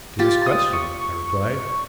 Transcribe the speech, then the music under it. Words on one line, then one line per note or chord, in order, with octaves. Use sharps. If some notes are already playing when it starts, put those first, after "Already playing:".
"To this question," I replied.
F4 G4 A6
D#6
C#6
C#6